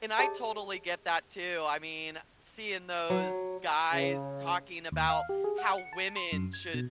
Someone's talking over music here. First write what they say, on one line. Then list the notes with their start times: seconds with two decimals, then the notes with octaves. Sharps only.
and I totally get that too, I mean, seeing those guys talking about how women should
0.18 G4 G#4 C#5 D#5 A5 D#6
3.10 F#3
3.92 C#3
4.92 D#2
5.09 F5
5.29 G4
5.44 G#4
5.58 F#5
5.78 C#7
5.93 A5
6.16 C6
6.32 F#2
6.53 G#6
6.74 B2